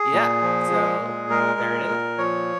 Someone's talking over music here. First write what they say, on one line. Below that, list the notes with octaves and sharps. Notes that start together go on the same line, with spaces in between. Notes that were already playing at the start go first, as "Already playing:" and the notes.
Yeah. So, there it is.
Already playing: G#4
A#2
F3
G#3
A#2
G#3 A#4
A#2
A#2
F3 C#5